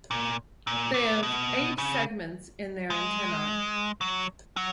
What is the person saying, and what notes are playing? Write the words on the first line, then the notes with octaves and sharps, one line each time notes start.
They have eight segments in their antennae.
A#2
A#2
A#2
B2
C#3
G#3
F#3
F#3